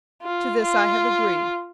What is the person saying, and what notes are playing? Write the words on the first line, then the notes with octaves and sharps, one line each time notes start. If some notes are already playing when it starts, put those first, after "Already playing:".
To this I have agreed.
F4
F4